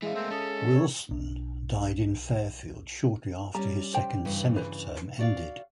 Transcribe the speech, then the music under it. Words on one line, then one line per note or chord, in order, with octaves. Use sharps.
Wilson died in Fairfield shortly after his second Senate term ended.
E3 G#3 C#4 G#4 E5 F5
A3 A#3 C4
C#4 A4 A5 D#6
C#5
B1 D4
G3 C#4 A#5
C5 G5
G2 C#3 E3
B4
F#4 D5 F5